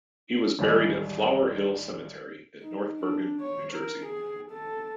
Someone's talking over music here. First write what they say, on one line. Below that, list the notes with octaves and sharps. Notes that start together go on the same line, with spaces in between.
He was buried at Flower Hill Cemetery in North Bergen, New Jersey.
A1 D#2 G3 G#3 D5 D#5
D#4
D4
C#5
A#4
G#4
A4